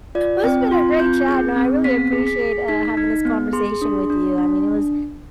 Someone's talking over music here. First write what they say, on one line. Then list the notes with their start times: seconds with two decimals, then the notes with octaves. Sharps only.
Well it's been a great chat, and I really appreciate, uh, having this conversation with you. I mean, it was,
0.15 F4 D5
0.44 C4 G5
0.71 F4 C6
1.00 C4 G6
1.28 G#4
1.56 C4
1.84 B3 B6
2.13 G#4
2.27 B6
2.41 G#4
2.68 D#4 B6
2.97 D#4
3.25 B3
3.53 G#4 C6
3.82 D4
4.10 D4
4.38 D4